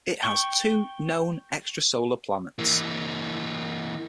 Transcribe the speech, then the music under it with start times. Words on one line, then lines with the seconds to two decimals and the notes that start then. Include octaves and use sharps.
It has two known extrasolar planets.
0.23 G5 C#6
2.59 E3 A#3